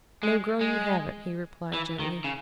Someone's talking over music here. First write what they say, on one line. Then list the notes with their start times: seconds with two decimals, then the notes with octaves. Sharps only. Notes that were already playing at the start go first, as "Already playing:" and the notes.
"No, girl, you haven't," he replied gently.
0.23 G#3
0.61 G#3
1.74 E3
2.00 D#3
2.24 C#3